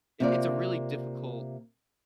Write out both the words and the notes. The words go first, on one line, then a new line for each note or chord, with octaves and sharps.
it it's a really difficult
C3 A#3 F4 D5